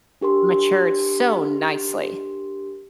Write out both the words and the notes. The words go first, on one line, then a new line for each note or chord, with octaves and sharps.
matured so nicely.
D4 G4 A#4 C6